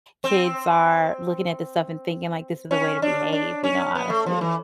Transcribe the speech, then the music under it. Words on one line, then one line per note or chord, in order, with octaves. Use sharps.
kids are looking at this stuff and thinking, like, this is the way to behave, you know, honestly.
C4
C#4
D4
D4
C#4
B3
A3
F3
E3